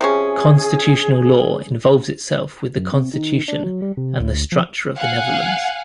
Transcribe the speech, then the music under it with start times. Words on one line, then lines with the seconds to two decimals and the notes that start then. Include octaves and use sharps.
Constitutional law involves itself with the constitution and the structure of the Netherlands.
0.01 C3 F3 C#4 G#4
2.77 F#2
2.92 C3
3.14 D#3
3.48 D4
3.64 F#3
3.82 G3
3.97 C3
4.20 D2
4.52 F3
4.97 F5 F#5 G#5